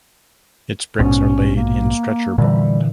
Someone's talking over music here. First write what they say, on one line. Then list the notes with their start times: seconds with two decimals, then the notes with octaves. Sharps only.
Its bricks are laid in stretcher bond.
0.99 A#1 G#2 B2 C#4
1.56 A#3
2.38 A#2 D3 E3 G3